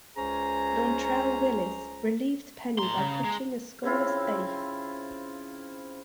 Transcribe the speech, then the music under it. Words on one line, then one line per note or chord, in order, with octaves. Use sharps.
Dontrelle Willis relieved Penny by pitching a scoreless eighth.
C#2 C#4 G#4 C5 A#5
A2 A#5 C6
C#3
G#3
C#3 C4 E4 F4